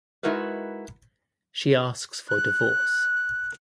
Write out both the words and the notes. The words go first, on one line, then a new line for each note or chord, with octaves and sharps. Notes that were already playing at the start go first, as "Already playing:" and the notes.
She asks for divorce.
G#3 D#4 E4 F#4 A#4 B4
F#6